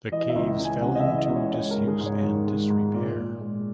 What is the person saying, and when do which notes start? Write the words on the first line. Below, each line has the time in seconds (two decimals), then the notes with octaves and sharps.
The caves fell into disuse and disrepair.
0.12 E3 D#5
0.30 E5
0.36 C#2
0.59 C#2
0.65 G#5
0.82 C#3 F#5
0.95 D#5
1.00 E5
1.06 E3
1.18 D#5
1.30 C#2
1.36 C#5
1.53 G#3 C#5
1.71 A#4
1.76 G#2
1.88 G#4
2.00 G#2
2.06 C#5
2.23 D#3
2.47 G#3
2.70 G#2
2.94 A#2
3.18 A#2
3.41 G#3